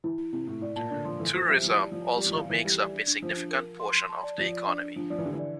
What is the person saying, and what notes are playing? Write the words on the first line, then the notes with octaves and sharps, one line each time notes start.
Tourism also makes up a significant portion of the economy.
E3 E4
E4
C3 E4
A2 E4
A2 D5
A#2 A5
D3 D5
F3 C6
E3 A4
F3 C5
G3 E5
F3 E4
G3 D5
F3 D5
D5
G3
D5
F3
E3 F5
E3 A4
G3 A4
D5
D4
D4
F3 C5
D4
A#4
A#4
C6
C6
A5
D5
F3 D5
D5
D4
D4
F3 D4
F3 D5
E3
D3 G4
E3
D5